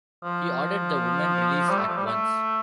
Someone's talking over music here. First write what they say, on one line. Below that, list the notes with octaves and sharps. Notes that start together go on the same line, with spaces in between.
He ordered the women released at once.
F3
G3
A3
F3
G3
A3